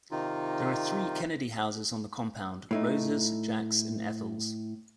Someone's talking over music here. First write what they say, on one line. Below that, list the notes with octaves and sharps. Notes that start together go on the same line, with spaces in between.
There are three Kennedy houses on the compound: Rose's, Jack's, and Ethel's.
C3 D#3 D#4 F4
A2 A3 D#4